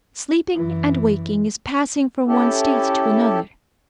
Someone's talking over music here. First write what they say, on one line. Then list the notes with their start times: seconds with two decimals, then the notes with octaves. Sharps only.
Sleeping and waking is passing from one state to another.
0.55 F#2 E3
2.27 C#4 E4 G4 A4